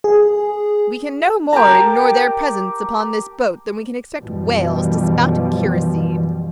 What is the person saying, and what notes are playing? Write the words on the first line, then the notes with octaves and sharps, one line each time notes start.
We can no more ignore their presence upon this boat than we can expect whales to spout kerosene.
G#4
G4 A#4 A5 A#5
F#2 B2 E3 F3 G3